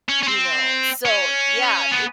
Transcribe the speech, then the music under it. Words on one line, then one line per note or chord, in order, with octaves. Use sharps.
you know. So, yeah, it
C#4
C#4
C4
C#4
B3